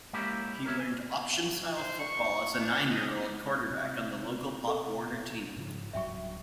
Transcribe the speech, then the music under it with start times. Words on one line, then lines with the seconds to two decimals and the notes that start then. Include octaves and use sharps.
He learned option-style football as a nine-year-old quarterback on the local Pop Warner team.
0.13 G#3 A#3 C#4 E4 G4
0.65 A#4 C#5 E5
0.80 G#5
1.76 C5
2.00 C#6
2.59 D4
2.90 D#5
3.71 C3
4.67 A4
5.56 G#2 C#3 F3
5.93 D1 G2 F#3 E5 G5 C#6